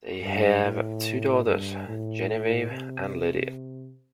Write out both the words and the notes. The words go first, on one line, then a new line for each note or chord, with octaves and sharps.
They have two daughters, Genevieve and Lydia.
G2
A2
G2
A2
C3